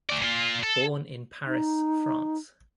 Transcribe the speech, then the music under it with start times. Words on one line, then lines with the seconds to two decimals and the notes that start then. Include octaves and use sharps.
Born in Paris, France.
0.10 A3 D5
0.22 A#2 F4
0.63 A4
1.47 D#4